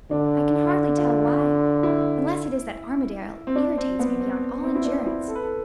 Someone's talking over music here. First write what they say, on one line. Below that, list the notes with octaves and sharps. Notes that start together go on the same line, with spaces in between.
I can hardly tell why, unless it is that Armadale irritates me beyond all endurance.
D3 D4
F4
E4
C4
D4
C4
B3
C4
C4
E4
D4
E4
A4
B4
A4